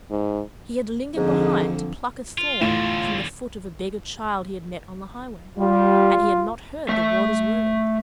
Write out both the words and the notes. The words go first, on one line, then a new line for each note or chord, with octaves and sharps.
He had lingered behind to pluck a thorn from the foot of a beggar child he had met on the highway, and he had not heard the Warder's words.
G#2
F2 G#2 D3
F4
E2 A2 D3 F4 E7
G3 F4
A3 E5